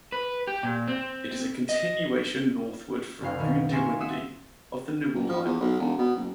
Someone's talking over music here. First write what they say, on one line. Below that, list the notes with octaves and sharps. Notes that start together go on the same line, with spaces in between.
It is a continuation northward from Goondiwindi of the Newell Highway.
B4
G4
A#2
C4
D#5
F#1 C2 C#4 F5 G5
B2 D#3
E5 F5 G#5 C6 C#6 F6
E5 F#5 C6 D#6 E6
F#1
F3
E2
B1
E1
B2
F#1